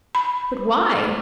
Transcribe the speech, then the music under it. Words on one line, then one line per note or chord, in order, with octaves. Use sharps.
But why?
B5